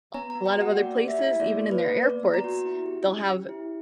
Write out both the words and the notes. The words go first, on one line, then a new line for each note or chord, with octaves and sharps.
a lotta other places, even in their airports, they'll have
B3 A#5
A#5
B3
G5
F#4
F#5
A#3 D5
G4
E5
E4
A#3 D5
A#3
B4
A#3
B3 D5
B3
A#5
F#4
E4
G4
C#4
G4
E4